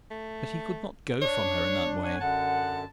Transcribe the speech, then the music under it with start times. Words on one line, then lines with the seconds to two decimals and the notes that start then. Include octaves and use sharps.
But he could not go from her in that way.
0.11 A3
1.22 D4 C#5
2.02 C#5 F#5 G#5
2.21 F#2 D3 F#5 A5